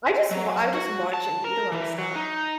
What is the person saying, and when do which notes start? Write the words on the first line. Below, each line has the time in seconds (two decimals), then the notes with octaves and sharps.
I just wa I just watch and read a lot of stuff.
0.31 F#3
0.74 F#4
1.13 A5
1.44 A#4
1.72 E3
1.98 F#3
2.15 D#4